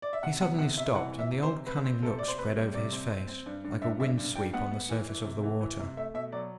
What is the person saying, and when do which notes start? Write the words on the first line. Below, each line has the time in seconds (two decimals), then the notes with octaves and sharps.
He suddenly stopped and the old cunning look spread over his face, like a wind-sweep on the surface of the water.
0.02 D5
0.13 E5
0.23 C3 F#5
0.41 B3 F#5
0.58 C3 F#5
0.77 C3 E5
0.95 E3 F#5
1.12 E3
1.19 E5
1.31 C3
1.43 C5
1.49 C3
1.66 C4 B4
1.84 C4
2.03 C3 A4
2.19 C3 D5
2.28 C5
2.38 C4 B4
2.56 G3
2.74 C3 D5
2.92 C4
3.10 C4
3.28 C4
3.46 G2
3.64 G2
3.82 G2 E5
3.99 G2 E5
4.18 G2
4.35 G2 G5
4.53 B3 F#5
4.72 B3
4.89 E3
5.07 E3
5.25 C3
5.43 E3
5.61 E3
5.79 C3
5.97 A3 E5
6.14 B2 E5
6.32 F#3 D5